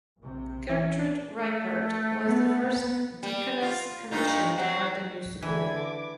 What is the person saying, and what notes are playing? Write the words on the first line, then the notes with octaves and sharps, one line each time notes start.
Gertrud Reichardt was the first deaconess commissioned by the new school.
A#1 C3
E3 C#4 E4 B4
A3
B3
G3
F4
G2 D#4 F4
F#3 C4
D3 E3 B5 G#6
D6